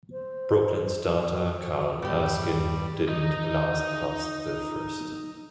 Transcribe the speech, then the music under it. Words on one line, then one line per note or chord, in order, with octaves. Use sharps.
Brooklyn starter Carl Erskine didn't last past the first.
C5
F#4
G2 B2 G3 G4
D#4 D#5